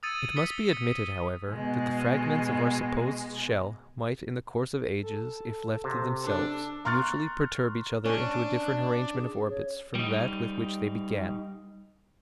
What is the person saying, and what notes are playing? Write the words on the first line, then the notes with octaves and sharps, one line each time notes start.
It must be admitted, however, that the fragments of our supposed shell might in the course of ages, if left to themselves, mutually perturb each other into a different arrangement of orbits from that with which they began.
D#6 E6 G#6 A6 C#7 D#7
D#6 A6 B6 C#7 G7
B2 G#3
A4
C3
D4 A4
A#5 C6 C#6 F6 F#6 A6
C#4 D4
G#4
C#5
G3 D#4